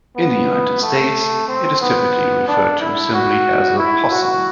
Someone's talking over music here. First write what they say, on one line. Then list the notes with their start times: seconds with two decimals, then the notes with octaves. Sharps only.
In the United States, it is typically referred to simply as a possum.
0.16 B3
0.82 A3
1.48 C4
1.81 B3
2.48 D4
2.80 E4
3.13 F#4
3.78 E4
4.11 F#4